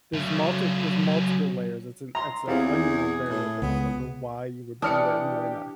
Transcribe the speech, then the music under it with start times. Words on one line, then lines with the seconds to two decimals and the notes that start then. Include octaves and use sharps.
there's multi there's multiple layers, it's an it's an onion of variables of the why you would do that and why not
0.13 C#3 F#3 A3
2.15 A#5 C6
2.48 E2 C4 F4 G4 G#4
3.28 A2
3.62 C#2 B3
4.82 E3 D4 G4 D5 D#6 F6 C#7